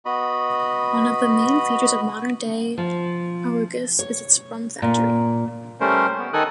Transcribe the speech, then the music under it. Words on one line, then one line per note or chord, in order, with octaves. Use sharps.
One of the main features of modern-day Arucas is its rum factory.
B3 F#4 D#5 B5
F3
C#5
A#2
G3 A3 C#4 A#4 C5
B3
D#3 D#4 A4 G#5 D#6 F#6